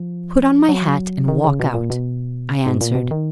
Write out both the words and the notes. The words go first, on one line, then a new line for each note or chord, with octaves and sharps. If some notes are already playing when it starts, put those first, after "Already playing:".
'Put on my hat and walk out,' I answered.
Already playing: F3
F#3
D#3
C#3
B2
A#2
B2
G#2
A#2
B2
D#3